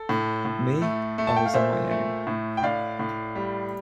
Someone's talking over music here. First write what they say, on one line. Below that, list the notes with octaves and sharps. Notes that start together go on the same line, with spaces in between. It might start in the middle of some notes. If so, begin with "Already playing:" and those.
Me, I was on my own.
Already playing: A4
A2
A2
A3
A3
A5
G5
F5
A#2 C5 E5
A3
A2
G5
A2 D5 F5
A2
G3